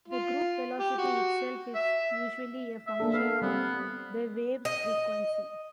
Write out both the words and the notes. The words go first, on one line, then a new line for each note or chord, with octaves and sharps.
The group velocity itself is usually a function of the wave's frequency.
F4
G4
F#4
E5
E5
A#3 D4 A4
B4 F5
G3 B3 C4
D#5